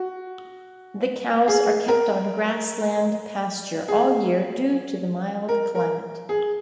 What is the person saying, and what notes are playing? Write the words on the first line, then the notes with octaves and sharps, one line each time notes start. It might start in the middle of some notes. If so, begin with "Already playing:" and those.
The cows are kept on grassland pasture all year due to the mild climate.
Already playing: F#4
G#4
A#4
G#4
A#4
A#4
G#4